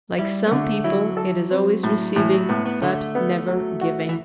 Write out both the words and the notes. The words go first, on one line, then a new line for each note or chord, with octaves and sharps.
Like some people, it is always receiving but never giving.
G3 E4
B3
D3 A3
F#3 E4
A4
C4
A2
A2 E3
F#3
A2 B3
B3
D3 A3
B3
F#3
F#4
E3